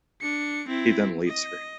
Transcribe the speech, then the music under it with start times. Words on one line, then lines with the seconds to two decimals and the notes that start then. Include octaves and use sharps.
He then leaves her.
0.21 D4 C#7
0.68 C4 E4
1.28 D#5